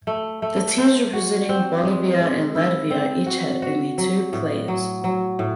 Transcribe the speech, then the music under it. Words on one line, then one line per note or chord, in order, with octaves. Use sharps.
The teams representing Bolivia and Latvia each had only two players.
A3
A3
C5
F#4
C4
G#3
G#3
E4
C4
F#4
F#4
F#3
A2
F#3
F#3
A2